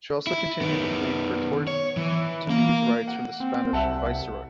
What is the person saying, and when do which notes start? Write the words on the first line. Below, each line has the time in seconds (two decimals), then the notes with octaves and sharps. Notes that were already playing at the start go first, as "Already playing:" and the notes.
She also continued to plead for Tortonese rights from the Spanish viceroy.
0.27 E4
0.61 D#3 B3
1.67 C#5
1.97 E3
2.49 A#3 F5
3.08 F#5
3.40 C4
3.73 C2 E5 F#5 A5